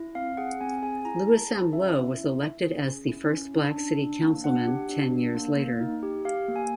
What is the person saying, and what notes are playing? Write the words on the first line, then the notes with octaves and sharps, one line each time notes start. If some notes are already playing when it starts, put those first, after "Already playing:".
Lewis M. Lowe was elected as the first black city councilman ten years later.
Already playing: E4
C4 F5
G#4 F#5
C4 G#5
G#4 G#5
E4 A#5
G#4 A5
G#4
C#4 E5
E4
E4
E4
G#4
C#4
E4
C#4
D4
D4
D4
A#3
D4 F#5
G4
D4
D4
A#3
A#3
D#4
G4
G4 F5
A#3
G#5